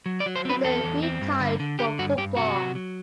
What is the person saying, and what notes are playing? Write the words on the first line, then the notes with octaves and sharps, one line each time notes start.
He then retired from football.
F#3
D5
F#3
C5
C4 B4
E2 A4
E2
C4
G2
D3
D3
D3 G4
G2 F#4
G2 G4
C3 F#4
F#3
F#3